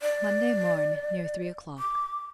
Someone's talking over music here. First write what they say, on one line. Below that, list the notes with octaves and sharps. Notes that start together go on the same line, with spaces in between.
'Monday morn, near three o'clock.'
D5
D6